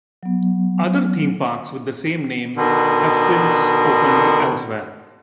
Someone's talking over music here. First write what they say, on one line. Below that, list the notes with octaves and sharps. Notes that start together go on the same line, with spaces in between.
Other theme parks with the same name have since opened elsewhere.
F#3 B3
B2 D3 D#3